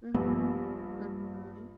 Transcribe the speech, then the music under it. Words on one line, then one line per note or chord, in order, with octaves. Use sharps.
Mhm, mhm.
A#1 G2 B3